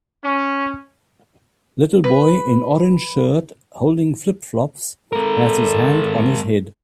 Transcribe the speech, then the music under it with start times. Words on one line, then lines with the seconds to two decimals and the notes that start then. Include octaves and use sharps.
Little boy in orange shirt, holding flipflops has his hand on his head.
0.23 C#4
2.04 B4
5.13 G#3 A4 A#4